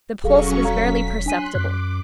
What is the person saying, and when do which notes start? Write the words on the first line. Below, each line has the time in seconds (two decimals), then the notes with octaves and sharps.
The pulse was barely perceptible.
0.24 E1 F#3 C#4 G#4 A4 F5 C#6
0.64 A4 F5 A#5 B6
1.26 D4 G#5 C6 F#6 D#7
1.55 F#2 D6 F#6